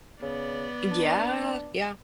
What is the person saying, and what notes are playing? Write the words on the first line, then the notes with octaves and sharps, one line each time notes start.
Eh, g yeah, yeah.
C#3 B3 D5
D4